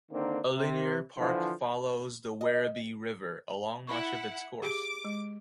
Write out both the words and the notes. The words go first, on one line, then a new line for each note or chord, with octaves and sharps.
A linear park follows the Werribee River along much of its course.
D3 D#3 A#3 C4 D4
C3
D3 E3 F3
D#5
E4 F#5 B5 C#6
G4 G#4 D6
G#3